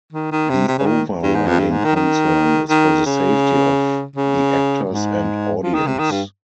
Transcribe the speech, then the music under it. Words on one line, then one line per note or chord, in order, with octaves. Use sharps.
The over-riding concern is for the safety of the actors and audience.
D#3
D#3
C3
C3
C#3
D#3
G2
G#2
F2
G2
G#2
D#3
D#3
D#3
C#3
C#3
G#2
F3
D#3
C3
D#3
G2